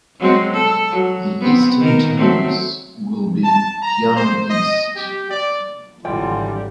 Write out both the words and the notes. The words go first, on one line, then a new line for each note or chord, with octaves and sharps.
The eastern terminus will be Heyuan East.
F#3 G#3 C4
A4
F#3
B3 C4
D#3 A#4
F#3 A3 C4
A5
A#5
C5
D#5
G4
D5
G#1 D3 E3 F#3 G3 F4 G5